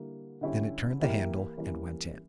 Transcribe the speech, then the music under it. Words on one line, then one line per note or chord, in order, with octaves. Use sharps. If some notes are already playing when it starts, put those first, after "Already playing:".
Then it turned the handle, and went in.
Already playing: D3 G3 A#3 E4
D3 G3 C#4 E4 G4
E3 A#3 E4 G4
E3 G3 A#3 C#4 E4